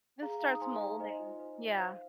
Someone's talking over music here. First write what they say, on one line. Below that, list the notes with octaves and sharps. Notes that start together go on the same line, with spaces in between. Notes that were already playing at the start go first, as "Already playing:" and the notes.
It starts molding, yeah.
G#4 F5 A#5
D#4 F5 A#5
D#6
C5 G#5 C6
D#4 F5 A#5
C5 D#5 G#5
F4
C5
F4
C5 F5